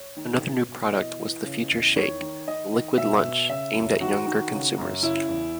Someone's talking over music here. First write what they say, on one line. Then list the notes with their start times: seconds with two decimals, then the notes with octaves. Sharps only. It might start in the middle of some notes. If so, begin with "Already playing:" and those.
Another new product was the Future Shake, a "liquid lunch" aimed at younger consumers.
Already playing: C#5
0.16 D#3
0.43 B2
0.68 B2
0.93 E3 D#5
1.20 E3
1.45 C#3
1.70 E2
1.95 D#3 C#5
2.21 D#3
2.48 D#3 D#5
2.73 D#3
2.98 B2 E5
3.23 B2
3.50 C#3 E5
3.75 F#2
4.00 D#3 F#4
4.27 D#3
4.52 C#3
4.78 F#2
5.03 C#3 E4
5.29 E2